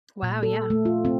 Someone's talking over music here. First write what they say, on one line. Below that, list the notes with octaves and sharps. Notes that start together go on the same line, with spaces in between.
Wow, yeah.
A#2
A4
A3
F4
C4